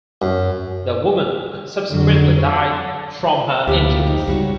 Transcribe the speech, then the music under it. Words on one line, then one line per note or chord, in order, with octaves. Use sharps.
The woman subsequently died from her injuries.
F#2
F2 D3 F#3
D2 A#3 E4 F4 G4
F2 D#4
C#2 G#2 G3 F#4 C#5